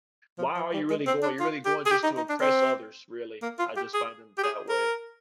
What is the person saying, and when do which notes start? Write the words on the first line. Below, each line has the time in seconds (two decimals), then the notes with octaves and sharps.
why are you really going? You're really going just to impress others, really. I just find them that way.
0.38 F3
0.56 F3
0.73 G3
0.90 G#3
1.07 C4
1.23 D4
1.40 F4
1.66 G4
1.86 G#4
1.91 G4
2.03 D#4
2.17 D#4
2.29 D4
2.41 C4
3.42 A#3
3.59 F4
3.76 G4
3.94 G#4
4.38 G4
4.43 G#4
4.69 A#4